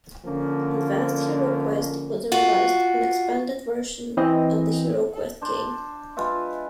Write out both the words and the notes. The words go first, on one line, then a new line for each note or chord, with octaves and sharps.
"Advanced HeroQuest" was a revised and expanded version of the HeroQuest game.
D3 F3 A#3 C#4
F4 F#4
E3 C4 D#5
D4 C5
G#3 F4 B4 E5